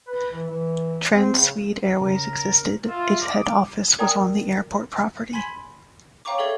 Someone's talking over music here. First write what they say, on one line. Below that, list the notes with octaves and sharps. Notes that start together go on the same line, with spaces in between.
Transwede Airways existed, its head office was on the airport property.
B4
E3
E3
C4
C#3
C#3 A#4
F4 E5
D6 D#6
A#4 D5 G5 G#5 A#5 D#6
G#5 B5 C6 G#6 B6 F#7
C#5 F5 G5 A#5 C#6 D6
G#4 A4 D5 E5 C#6 G#6